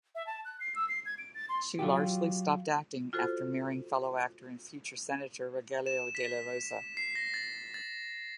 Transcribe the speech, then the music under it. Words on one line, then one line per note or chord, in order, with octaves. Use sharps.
She largely stopped acting after marrying fellow actor and future Senator Rogelio dela Rosa.
E5
A5
F#6
C7
E6
C7
G#6
D7
A6
C6
F#3 F4 G4
F4 F#4 A4 C5
E7
B6
C7
A#6
A6
A6